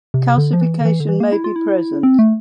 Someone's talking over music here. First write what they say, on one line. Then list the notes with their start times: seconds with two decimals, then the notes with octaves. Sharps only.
Calcification may be present.
0.14 C3
0.38 D3
0.53 F3
0.61 E3
0.81 D3
0.85 E3
1.00 D3
1.09 E3
1.20 A#3
1.32 E4
1.44 F4
1.56 E4
2.03 C4
2.19 A3